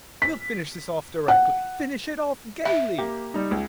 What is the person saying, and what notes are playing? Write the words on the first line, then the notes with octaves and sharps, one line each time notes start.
We'll finish this off directly, finish it off gayly.
B6
F#5
E5
A#3 G4
G3 D#4
C#2